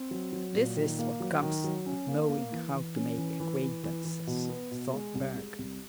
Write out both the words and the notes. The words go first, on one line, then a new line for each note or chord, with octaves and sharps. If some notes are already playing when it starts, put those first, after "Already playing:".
"This is what comes of knowing how to make acquaintances," thought Berg.
Already playing: C4
F#3
F#3
A#2
D#3
A#3
F#3
D#3
F#3
C#4
A#3
A#3
E3
E3
C#4
E3
E3
E3
E3
E3
B2
B3
B2
G#3
C2
G#3
C2